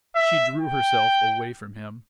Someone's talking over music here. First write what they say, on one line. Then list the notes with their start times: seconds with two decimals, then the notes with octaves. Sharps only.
She drew herself away from him.
0.16 E5
0.61 G5